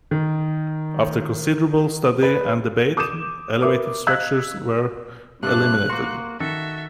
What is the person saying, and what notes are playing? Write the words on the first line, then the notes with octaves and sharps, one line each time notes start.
After considerable study and debate, elevated structures were eliminated.
D#3
B4
D6 D#6 G6 D#7 E7
A#4 B4 E5 D6 D#6
D#5 F5 E6 F#6 G#6 B6
G2 C3 A3 D4 F#6
A#3 F#4 C6
D#3 F#4 A4 E5